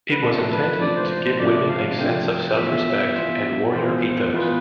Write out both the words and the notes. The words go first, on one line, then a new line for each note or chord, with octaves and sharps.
It was intended to give women a sense of self-respect and warrior ethos.
B4
C3 F3 A3 D4 A4
B4
C3 F3 A3 D4 D5
C5
C5
C5
C3 F3 A3 D4 D5
F5
C3 F3 A3 D4 G5
G5
E3 B3 F4 E5
E3 B3 F4
E3 B3 F4 C5
C5
E3 B3 F4 B4